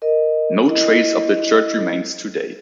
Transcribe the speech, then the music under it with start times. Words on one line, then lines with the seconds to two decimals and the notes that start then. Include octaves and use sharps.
No trace of the church remains today.
0.02 A#4 D#5
0.67 E4 D#5